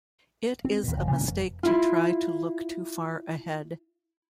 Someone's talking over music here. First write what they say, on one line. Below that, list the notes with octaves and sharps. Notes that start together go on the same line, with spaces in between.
It is a mistake to try to look too far ahead.
C4
D#2 A#2
F#1
C3 F3 A#3 C#4
F1
E4 F4